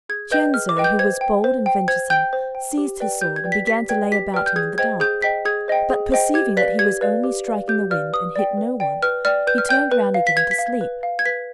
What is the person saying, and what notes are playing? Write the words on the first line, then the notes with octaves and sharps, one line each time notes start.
Cienzo, who was bold and venturesome, seized his sword and began to lay about him in the dark; but perceiving that he was only striking the wind and hit no one, he turned round again to sleep.
G#4 G#6
B4 D#5 G5 G6
G#4 F6
D6
B4 D#5 G5
G6
C5 G#6
G5
C5
G5
C5 G#6
G5 G6
C5
G5
G4
B4 D5 G5
G4 G6
G#6
B4 D5 G5
B6
G4 B6
B4 D5 G5 G#6
G4 B6
B4 D5 G5 F6
G6
G#4 G#6
C5 D#5 G5 G#6
G#4 G6
C5 D#5 G5 B6
G#4 G#6
C5 D#5 G5
G#4
C5 D#5 G5
G4 G#6
B4 D5 F5 B6
G4 G#6
B4 D5 F5
G4
B4 D5 F5
G4 G6
B4 D5 F5 F6
B4 D#6
D5 G5
B4
D5 G5
B4 F6
D5 G5 F6
B4 G6
F6
D5 G5 G6
B4
F5
B6
B4 G#6
B6
F5
G#6
B4
F5
G#6
B4 B6